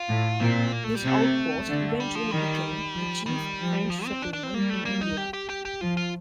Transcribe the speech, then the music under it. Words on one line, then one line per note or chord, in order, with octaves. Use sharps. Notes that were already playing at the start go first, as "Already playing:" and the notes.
This outpost eventually became the chief French settlement in India.
Already playing: F4
A2
A#2 C4
A#3
A3
G3
C3 A3
D3
G3
F3
D#3 G3
F3
D#3 G3
F3
F3
C4
D4
D4
C4
G3 A#3
A3
A#3
D#4
G4
G4
G4
G4
F3 F4
F4